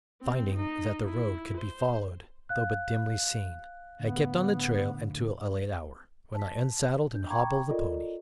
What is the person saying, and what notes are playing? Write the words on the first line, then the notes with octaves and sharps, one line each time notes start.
Finding that the road could be followed, though but dimly seen, I kept on the trail until a late hour, when I unsaddled and hobbled the pony.
C4
D#4
E4
C5
F5 F#6
A2 D3 B3
A5 B6
D4 G6
G5 A#5 B5 C#6 D6 G#6
F4 A4 A#4 D5 D#5